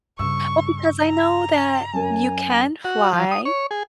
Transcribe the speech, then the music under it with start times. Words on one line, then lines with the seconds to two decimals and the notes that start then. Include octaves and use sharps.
Well, because I know that you can fly,
0.19 G2 C#3 C#6 E6
1.07 A#5
1.94 F#2 A#4 G#5
2.85 F#4
3.13 F3
3.31 D#6
3.45 C#5
3.71 G#4